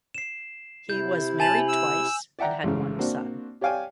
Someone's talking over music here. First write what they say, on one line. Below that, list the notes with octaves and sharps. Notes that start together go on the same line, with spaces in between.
He was married twice and had one son.
C7 E7
C3 E4 G6
G#5 A5 F7 F#7
E6
D5 E5 F#5 G5 A#5
A1 G#2 C#3
A#3 C4 D4 F#4
G4 C#5 D5 F5 G5 G#5